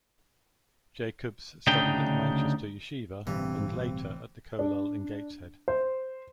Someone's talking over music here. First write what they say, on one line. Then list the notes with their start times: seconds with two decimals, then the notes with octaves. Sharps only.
Jacobs studied at Manchester Yeshivah, and later at the kolel in Gateshead.
1.67 D2 C#3 D4 D#4 G5
3.27 A1 G2 B2 D3 E3 C4
4.59 D4
5.68 C5